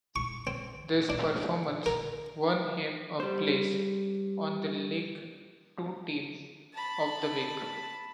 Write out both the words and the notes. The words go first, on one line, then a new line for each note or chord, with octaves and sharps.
This performance won him a place on the League Two team of the week.
C#6
C4
D4
A#4
G3 C5
A5 B5